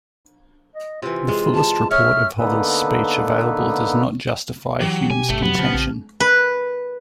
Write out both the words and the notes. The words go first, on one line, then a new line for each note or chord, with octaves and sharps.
The fullest report of Hovell's speech available does not justify Hume's contention.
D#5
C3 E3 F4
G#3
A5
C#5 E5 F6
D3 A#3 B3 D#4 A4 B4
E3 F#3 G4
B2 G#5
G1 A3
F2 C3 F#3 B3
C#3 F3 C4
A#1
B4